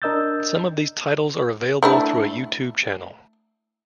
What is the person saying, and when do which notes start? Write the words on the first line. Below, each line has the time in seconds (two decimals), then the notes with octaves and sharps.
Some of these titles are available through a YouTube channel.
0.02 D4 A#4 D#5 E6 G6 A6
1.83 A3 D4 E4